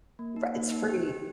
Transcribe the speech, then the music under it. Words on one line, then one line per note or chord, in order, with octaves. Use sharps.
Right, it's free.
A#3
D#4
A#3
D#4
G4
G4